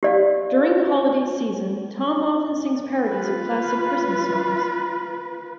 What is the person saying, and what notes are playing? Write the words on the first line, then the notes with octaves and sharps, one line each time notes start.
During the holiday season, Tom often sings parodies of classic Christmas songs.
G4 D5 F5
F4 B4